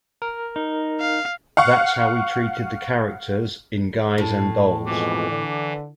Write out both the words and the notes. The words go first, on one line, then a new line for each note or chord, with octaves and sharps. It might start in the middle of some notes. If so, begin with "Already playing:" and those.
That's how we treated the characters in "Guys and Dolls".
A#4
D#4
F5
F5 F#5 C#6
A2 A5
F2 B2 E3 G#3 D6
D3